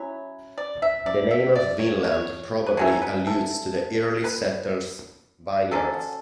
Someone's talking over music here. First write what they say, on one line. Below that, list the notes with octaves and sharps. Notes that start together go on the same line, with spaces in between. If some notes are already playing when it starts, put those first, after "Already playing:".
The name of Vinland probably alludes to the early settlers' vineyards.
Already playing: F#3 C#4 E4 C#5
D5
E5
D5
E5
D5
C#5
C#5
B4
D3 F#3 C#4 E4 C#5
B4
A4
B4
D3 F#3 C#4 A4